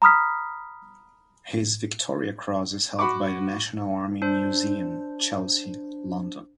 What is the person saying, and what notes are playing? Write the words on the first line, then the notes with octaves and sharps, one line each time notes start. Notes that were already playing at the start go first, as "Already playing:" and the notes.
His Victoria Cross is held by the National Army Museum, Chelsea, London.
A#5 B5 D#6 F6 B6
F#4 F#5 B5 C#6 D6
D4 C5